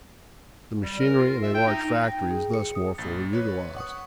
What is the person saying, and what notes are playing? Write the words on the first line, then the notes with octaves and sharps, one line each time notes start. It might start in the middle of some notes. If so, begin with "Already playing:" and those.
The machinery in a large factory is thus more fully utilized.
G3
A#4
F4
E5
G5
D#4
G5
G#4
C#7
D#6
A#1 A6
B4 C#5
F#5 C#6 D#6